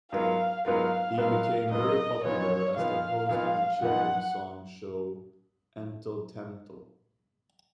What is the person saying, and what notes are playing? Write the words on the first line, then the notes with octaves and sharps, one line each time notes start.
He became very popular as the host of a children's songs show "Entel-tentel".
G#2 F#3 B3 F4 A#4 F5
G#2 F#3 B3 F4 A#4 F5
G#2 F#3 B3 F4 A#4 F5
G#2 F#3 B3 F4 A#4 D#5
A#2 F3 B3 D#4 C#5
A#2 F3 B3 D#4 F5
A#2 F3 B3 D#4 F5
A#2 F3 B3 D#4 F#5